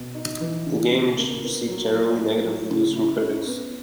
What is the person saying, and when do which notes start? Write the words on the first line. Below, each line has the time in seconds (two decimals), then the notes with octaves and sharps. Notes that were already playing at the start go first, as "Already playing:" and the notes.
The game received generally negative reviews from critics.
Already playing: B2
0.14 D#4
0.41 E3
0.66 C#3
0.92 C#3
1.17 A#3
1.43 B3
1.68 F#3
1.94 F#3
2.19 E4
2.45 F#3
2.70 C#3
2.96 E4
3.22 C#4
3.47 B3